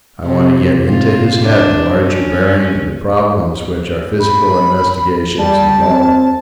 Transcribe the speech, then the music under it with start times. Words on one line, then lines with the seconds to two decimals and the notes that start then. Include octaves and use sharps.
I want to get into his head the larger bearing of the problems which our physical investigations involve.
0.24 C3
0.85 F4
1.41 D4
2.03 C#4
4.20 B5
5.39 G3 A5
5.88 C4